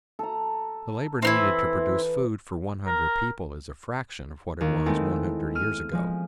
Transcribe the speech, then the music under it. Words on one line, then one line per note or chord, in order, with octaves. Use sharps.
The labor needed to produce food for one hundred people is a fraction of what it was one hundred years ago.
A4 A#5
E3 C4 D#4 E4
A#4
D#2
G#3 A3 B3 C4 E4
F6 D#7
F3 G#3